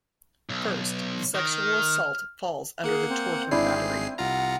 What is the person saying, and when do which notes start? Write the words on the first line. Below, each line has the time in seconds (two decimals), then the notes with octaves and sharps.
First, the sexual assault falls under the tort of battery.
0.49 B1
1.35 D#3 F6
2.84 A#3 G#4 F#5
3.09 C4
3.51 G#1 D4 E4 G#4 C7
4.18 C2 F4 F#5 A#5